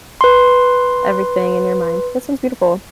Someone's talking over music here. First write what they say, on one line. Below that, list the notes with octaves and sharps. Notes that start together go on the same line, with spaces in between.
everything in your mind. That sounds beautiful.
B4 C6